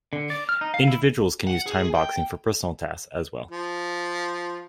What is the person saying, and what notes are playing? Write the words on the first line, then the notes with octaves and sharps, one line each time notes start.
Individuals can use timeboxing for personal tasks, as well.
D3
D5
F6
D#4
F5
E4
F#5
G#4
G5
F3